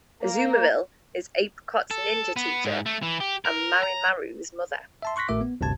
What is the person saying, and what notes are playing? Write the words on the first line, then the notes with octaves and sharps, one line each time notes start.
Azumarill is Apricot's ninja teacher and Marimaru's mother.
A#3
A4
B3
G#2
A3
E3
G4
A#4
A#5
E5 A5 C6
C6 C#6 F#6 A#6 B6
G#1 A2 A3 A#4 E5 D6
B3
G#1 D2 G2 C3 A5 G#6